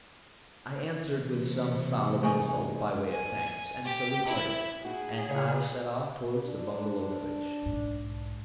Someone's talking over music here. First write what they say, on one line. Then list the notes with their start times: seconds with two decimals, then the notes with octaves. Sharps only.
I answered with some foul insult by way of thanks, and so we parted, and I set off towards the bungalow village.
1.07 C3 E3 A#3
2.23 G#3 A3 D#4 G#4 G#5 C#6
3.10 G#5
3.85 G4
4.26 E4
4.85 D#4 F#4 G#4
5.29 C#3 C#5
6.45 D4
7.62 B1 G#2